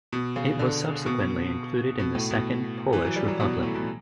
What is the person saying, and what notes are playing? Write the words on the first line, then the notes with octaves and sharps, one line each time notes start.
It was subsequently included in the Second Polish Republic.
B2
C#3
D3
B2
B2
A2
B2
E3
F#3
G3
F#3
B2
A2
B2